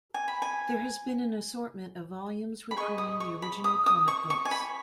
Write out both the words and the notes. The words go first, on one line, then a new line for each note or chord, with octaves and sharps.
There has been an assortment of volumes reprinting the original comic books.
G#5
B5
G#5
B5
G#4 D#5 C#6
D#6
C#6
B5
D#6
D#6
C#6
C#6
G#5
B5